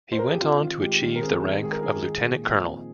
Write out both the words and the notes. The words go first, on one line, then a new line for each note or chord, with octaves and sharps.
He went on to achieve the rank of lieutenant-colonel.
C5
A#4
G#4
G4
C4 F4
D#3
G#3 G4
D#3
A#4
C4 G#4
D#3
G#3 G#4
A#4
D#3 G#4
G#3 G#4
A#2
F3
C4